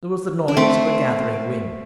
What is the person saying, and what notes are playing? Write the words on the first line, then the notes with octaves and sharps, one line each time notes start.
There was the noise of a gathering wind.
D4
A3 C4